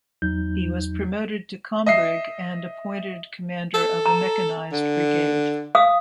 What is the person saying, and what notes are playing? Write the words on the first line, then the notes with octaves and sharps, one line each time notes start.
He was promoted to kombrig and appointed commander of a mechanized brigade.
E2 F#3 D#4 G6
D#5 E5 C7
A4
A#5
D3
F5 D#6